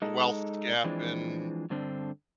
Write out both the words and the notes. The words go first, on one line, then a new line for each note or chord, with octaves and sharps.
a wealth gap in
G#3 D#4 A4
E3 F3 G#3 C4 D4
G2 D3 C4 D4